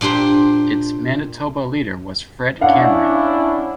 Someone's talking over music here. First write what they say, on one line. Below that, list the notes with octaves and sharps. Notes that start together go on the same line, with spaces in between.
Its Manitoba leader was Fred Cameron.
A#2 D4 G4 C5 G5
C#4 D4 E4 F5 F#5